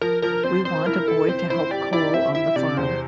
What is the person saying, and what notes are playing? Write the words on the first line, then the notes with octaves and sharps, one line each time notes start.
We want a boy to help Cole on the farm.
F3 A#4
F3 A#4
C4 C5
C4 C5
E4 A#4
E4 A4
C4 C5
E4 C5
G4 D5
E4 D5
C4 E5
E4 E5
C3 D5
E2 C5